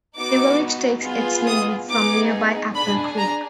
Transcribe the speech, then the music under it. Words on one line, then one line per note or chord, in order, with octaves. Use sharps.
The village takes its name from nearby Apple Creek.
B3 D#4 F#4 D6
B3 F4 G#4
D#6
B3 D#4 G#4 D6
D4 G#4 B5
A#5